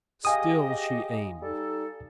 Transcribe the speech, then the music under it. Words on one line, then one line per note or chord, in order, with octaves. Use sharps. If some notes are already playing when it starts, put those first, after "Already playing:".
Still she aimed....
G4 G#4 D#5 F5 G#5 D#6
G3 D#4 A4